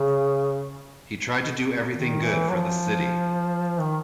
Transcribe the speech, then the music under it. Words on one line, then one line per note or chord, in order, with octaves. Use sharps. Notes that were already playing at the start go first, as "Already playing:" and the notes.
He tried to do everything good for the city.
Already playing: C#3
D#3
E3
F#3
F3
D#3